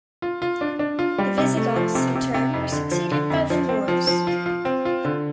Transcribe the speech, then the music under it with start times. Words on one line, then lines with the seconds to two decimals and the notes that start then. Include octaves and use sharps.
The Visigoths, in turn, were succeeded by the Moors.
0.22 F4
0.42 F4
0.61 D4
0.79 D4
0.99 F4
1.18 G3
1.38 C3
1.57 A3
1.76 F3
1.95 C3
2.15 C3
2.34 C3
2.53 F2
2.72 D3
2.91 F3
3.12 D3
3.30 F2
3.50 F3
3.69 C4
3.88 F3
4.07 F3
4.27 F4
4.46 F4
4.65 C4
4.85 F4
5.05 D3